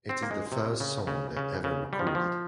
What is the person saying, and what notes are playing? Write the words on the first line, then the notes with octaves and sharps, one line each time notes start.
It is the first song they ever recorded.
C4
A#3
G#3
C3
C#3
C#3
C#3
C#3
G3
F3
D#3
F3